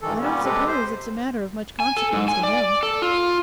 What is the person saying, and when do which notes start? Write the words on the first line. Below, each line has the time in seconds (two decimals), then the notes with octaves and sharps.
'I don't suppose it's a matter of much consequence to HIM.
0.02 G2 D#3 E3 A4
0.21 A#2 G3 B3 C#4
0.44 C3 G#3 G4 A4 B4
0.67 C5
1.80 G#5
1.97 A4
2.13 G#2
2.28 G#5
2.43 D5
2.83 A4
3.02 F4